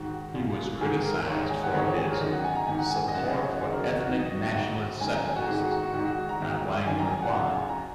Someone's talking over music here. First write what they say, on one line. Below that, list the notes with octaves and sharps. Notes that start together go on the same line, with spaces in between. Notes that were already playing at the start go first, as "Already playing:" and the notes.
He was criticized for his "support for ethnic nationalist separatists" by Wang Lequan.
Already playing: G#2 D#3 F#4
F#2 C#3
G#2 D#3 G#4
A#4
G#2 D#3 C#5
D#5
G#5
F#5
G#2 D#3 C#5
C#5
G#4
A#4
F#2 D#3 D#5
F#5
G#5
A#5
G#2 D#3 G#5
F#5
G#5
D#5
F#2 C#3 F#5
D#5
C#5
F#4
F#2 D#3 G#4
A#4
F#4
F#2 D#3 D#4
D#5
F#4
F#4
G#2 D#3
F#2 D#3 G#5
A#5
G#5
F#4
G#2 D#3 G#4
F#4
D#4
F#4
G#2 D#3 F#4
F#4
A#5
G#2 D#3
F#2 D#3 G#5
A#5
G#5
F#5
F#2 C#3 F#5
G#5
G#5
A#5